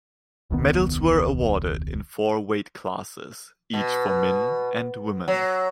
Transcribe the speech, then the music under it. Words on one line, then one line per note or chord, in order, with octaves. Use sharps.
Medals were awarded in four weight classes each for men and women.
E1 C#2 D#3 B3
B2
F#3